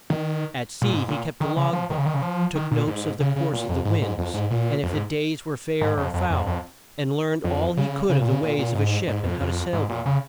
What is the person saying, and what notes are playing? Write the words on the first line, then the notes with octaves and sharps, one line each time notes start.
At sea he kept a log-book, took notes of the course of the winds, and if the days were fair or foul, and learned all he could of the ways of a ship and how to sail one.
D#3
A#2
G#2
A#2
D#3
C#3
F3
D#3
C#3
D#3
C#3
F3
D#3
A#2
G#2
C#3
C#3
A#2
F2
G#2
G#2
F2
G#2
A#2
F2
G#2
G#2
F2
F2
F2
F2
F2
C#3
C#3
A#2
C#3
A#2
A#2
G#2
G#2
F2
F2
G#2
A#2
C#3